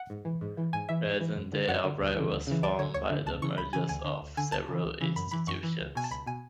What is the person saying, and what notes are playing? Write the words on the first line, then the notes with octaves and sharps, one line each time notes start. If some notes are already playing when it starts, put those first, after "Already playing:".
Present-day Albright was formed by the mergers of several institutions.
Already playing: F#5
G#2
E3
G#2
E3
G#2 G#5
E3 E5
G#2
E3
F#2
D3
F#2 F#5
D3
D2
C#3 E3
D2
C#3 E3
D2 D5
D3 C#5
D2 C#5
D3
C#2 A5
C#3 E3 C#6
C#2 B5
C#3 E3 G#5
D2 G#5
D3
D2
D3 G#5
C#2 A5
C#3 E3
C#2
C#3 E3
F#2 B5
E3 B5
F#2 C#6
E3
C#2
B2 G#5
A5
C#2 B5
B2 G#5